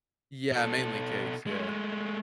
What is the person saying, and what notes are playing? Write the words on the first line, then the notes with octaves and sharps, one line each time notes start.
Yeah, mainly cakes, yeah.
B2 A4
G#3 A3